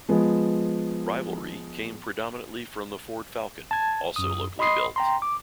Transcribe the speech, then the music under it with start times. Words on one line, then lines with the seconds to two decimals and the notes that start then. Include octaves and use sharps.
Rivalry came predominantly from the Ford Falcon—also locally built.
0.09 F3 G#3 B3
3.71 A5 G#6
4.16 F#2 D#6
4.59 D#5 B5 C6 D#6 C7
4.96 G5 A#5 C6
5.22 D6